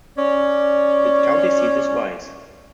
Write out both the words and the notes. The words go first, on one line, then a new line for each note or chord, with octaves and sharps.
Its county seat is Wise.
C#4 D5